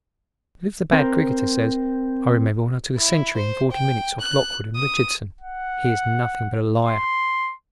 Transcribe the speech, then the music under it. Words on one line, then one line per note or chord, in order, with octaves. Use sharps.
But if the bad cricketer says, "I remember when I took a century in forty minutes off Lockwood and Richardson," he is nothing but a liar.
C4 A#4 C5
E4
C5
G5
F#6
D#6
F#5
C6